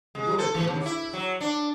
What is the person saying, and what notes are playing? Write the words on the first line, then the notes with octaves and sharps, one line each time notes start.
It would have been useless.
G#3
A4
E3
D#2
E4
F#3
D4